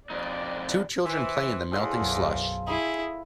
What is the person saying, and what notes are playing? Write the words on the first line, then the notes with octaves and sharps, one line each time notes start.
Two children play in the melting slush.
F2 D#4 D5
E3 C5
E2 F4 G#4 A4
B1 F#2
E4 G#4 B5